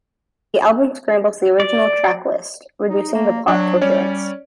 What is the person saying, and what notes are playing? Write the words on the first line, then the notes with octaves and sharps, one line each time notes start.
The album scrambles the original track list, reducing the plot's coherence.
D5
D#4
A#3
F#3 D4
G3 C#4 C#5 D5